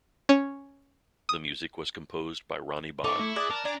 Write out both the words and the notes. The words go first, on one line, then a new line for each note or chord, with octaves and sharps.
The music was composed by Ronnie Bond.
C#4
D#6
D#4 A4 D5 C#6 D6
A3 E4
G#4 D5 F#6 A6 A#6
A#4 A5
D4 D5 G#5 A#5 D6